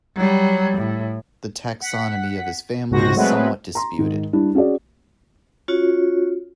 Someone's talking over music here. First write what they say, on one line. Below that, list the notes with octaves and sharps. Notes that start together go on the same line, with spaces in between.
The taxonomy of this family is somewhat disputed.
F#3 G3
A2
F#5 B6
C#2 G#2 C3 F#4 C5 A#6
F#3 G#3 A3 B3 C4 B4
A#5 C6
G#2 D#3
G3 D4 E4
C#4 F#4 G#4 D5
C#4 F4 F#4 C#5